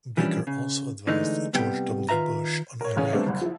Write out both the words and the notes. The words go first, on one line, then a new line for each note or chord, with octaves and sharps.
Baker also advised George W. Bush on Iraq.
E3 F3 G3 C#4 D4
C#3
D3 E3 G#3 A3 D#4
C2 C3 G3 B3 G5
D#3 F4 B4 E5 A#5
A#4 C#5
E2 C#3 C#4
G3 A3 B3 C4 D4
F#1 C2
F3 E4